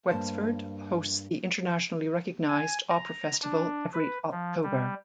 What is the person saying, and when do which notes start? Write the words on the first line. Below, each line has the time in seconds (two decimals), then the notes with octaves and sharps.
Wexford hosts the internationally recognised Opera Festival every October.
0.11 G2 A#3 C5 A5
2.49 G#5
2.90 A#5
3.43 D4
3.94 B4
4.32 F3
4.63 G3